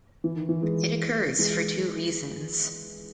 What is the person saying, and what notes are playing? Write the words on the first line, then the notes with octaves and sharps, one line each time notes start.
It occurs for two reasons.
E3
D#3
E3
E3 G#3
E3 G#3